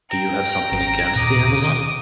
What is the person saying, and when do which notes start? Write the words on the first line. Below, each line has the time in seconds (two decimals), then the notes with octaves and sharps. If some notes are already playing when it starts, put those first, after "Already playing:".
Do you have something against the Amazon?
0.11 G5 A#5
0.72 G#1 C#4
1.16 D#2 A#2 D6 D#6
1.48 B2